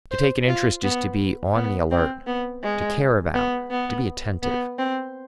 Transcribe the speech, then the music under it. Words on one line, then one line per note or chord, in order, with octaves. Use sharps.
To take an interest is to be on the alert, to care about, to be attentive.
C5
F4
B3
B3
C4
B3
G#3
B3
B3
B3
C4